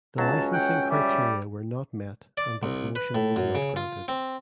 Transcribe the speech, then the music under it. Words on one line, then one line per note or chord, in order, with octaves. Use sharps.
The licensing criteria were not met and the promotion was not granted.
C#2 F#3 C#4 A5
F#5 G5
G3 E5
D5
C2
B4
A2
F#2
C#3
F4
C4